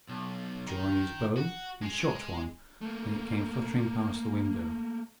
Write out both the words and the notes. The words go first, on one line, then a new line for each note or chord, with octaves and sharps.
Drawing his bow, he shot one, and it came fluttering past the window.
B1
D#3
F#4
G#3
A3 A#3